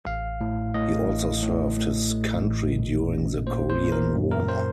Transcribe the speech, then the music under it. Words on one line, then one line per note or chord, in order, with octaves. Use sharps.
He also served his country during the Korean War.
A1 F5
A2
A2 D#5
A1
A2
A3
A3
A1
A#2
C#4
A#2 C5
C5
A#2
A#4
F#2
A#4
C5